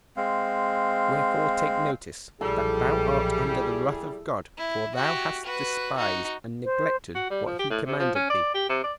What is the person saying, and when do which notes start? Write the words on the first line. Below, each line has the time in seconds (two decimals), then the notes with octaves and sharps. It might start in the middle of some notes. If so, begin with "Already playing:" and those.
Wherefore take notice, that thou art under the wrath of God, for thou hast despised and neglected what he commanded thee.
0.17 G#3 C4 F5
2.41 B1 A#2 F3 G3 E4 G#4 A4
4.57 E4
4.95 F#4 G4
5.45 F#4 B4
5.97 D#4 F#4
6.64 C5
7.15 F#4
7.30 G3
7.46 F3
7.59 G4
7.70 A2
7.86 C3
7.99 F3
8.15 C#4
8.30 D5
8.54 G4
8.69 C3
8.84 D5